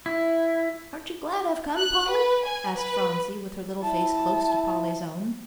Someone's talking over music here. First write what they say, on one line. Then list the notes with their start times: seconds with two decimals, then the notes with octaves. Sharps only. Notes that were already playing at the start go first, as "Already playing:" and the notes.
"Aren't you glad I've come, Polly?" asked Phronsie, with her little face close to Polly's own.
0.06 E4
1.77 F#6
2.10 B4
2.46 G#5
2.76 B4
3.83 E4 A5